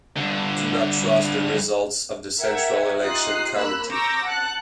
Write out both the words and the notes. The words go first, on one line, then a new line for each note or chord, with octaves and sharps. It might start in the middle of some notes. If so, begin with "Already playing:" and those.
Do not trust the results of the central election committee.
G2 D3
A#4 E5 F#5 G5 G#6
D#4 F4 G4 D#6 F#6 C7
A#3 B5 E6 F#6
A#5 C#6 D6 E6 G6 A#6
F#5 A5 F#6